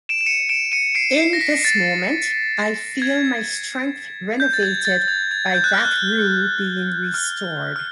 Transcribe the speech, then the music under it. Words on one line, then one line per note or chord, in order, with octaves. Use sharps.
In this moment I feel my strength renovated by that rule being restored.
D7 E7
E7
C#7 D#7
D7 E7
C#7 D#7
C7 D7
C7
A#6
B6
A6
G#6
G6
A6
G#6
A6
G#6
G#6
G6
F#6
F6
F#6
F6
F6